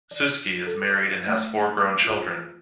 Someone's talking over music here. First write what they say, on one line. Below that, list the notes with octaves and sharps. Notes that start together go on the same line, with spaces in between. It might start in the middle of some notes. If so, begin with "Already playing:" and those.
Suske is married and has four grown children.
D5
A4
A3
F4